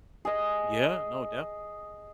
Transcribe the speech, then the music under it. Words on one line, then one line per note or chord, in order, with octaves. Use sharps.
Yeah. No, def
G#4 D#5